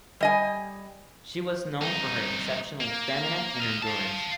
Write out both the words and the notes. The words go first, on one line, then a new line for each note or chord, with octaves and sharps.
She was known for her exceptional stamina and endurance.
G3 D#5 G#5
C2 D#4
A#3
D#5 F5
F5 A5